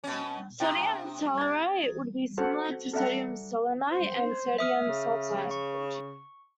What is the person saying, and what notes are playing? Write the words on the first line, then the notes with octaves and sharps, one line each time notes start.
Sodium tellurite would be similar to sodium selenite and sodium sulfite.
B2 C#4
C3 G5 A#5 D#6
G#6 A6
F#4 A4 C5 F#5
A4 D5 E5 F#5 A#5
C5
E5 D#6 F6
C#3
C#6